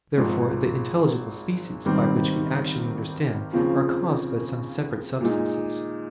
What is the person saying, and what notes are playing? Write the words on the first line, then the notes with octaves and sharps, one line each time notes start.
Therefore the intelligible species, by which we actually understand, are caused by some separate substances.
G#1 G#2 F3 G#3
G#1 G2 D#3 G3 C4
D#2 C#3 F3 C4 F4
A#2 G#3 D#4